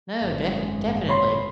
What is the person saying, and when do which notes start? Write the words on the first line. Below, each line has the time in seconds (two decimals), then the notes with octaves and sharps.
No, def definitely.
0.23 G#1 F#2 G#3
1.09 C#5 B5 C6